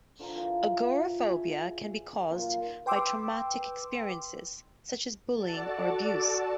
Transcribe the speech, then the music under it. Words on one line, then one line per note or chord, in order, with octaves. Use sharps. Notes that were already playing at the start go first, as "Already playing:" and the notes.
Agoraphobia can be caused by traumatic experiences, such as bullying or abuse.
D3 F3 F5 A#5
E3 F3
G#4 D5 E5
A#2 F#3 D#4 F4
B4 G5 C6 D6 E6
F#4 A4 D5 A5